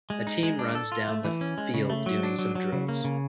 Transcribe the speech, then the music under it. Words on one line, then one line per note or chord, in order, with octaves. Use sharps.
A team runs down the field doing some drills.
G#3
D#4
G#3
D4
A4
F4
A3
E3
C#4
G#3
C#3
A3
F#3
D4
F#3
F#3
C#3
A#3
C#3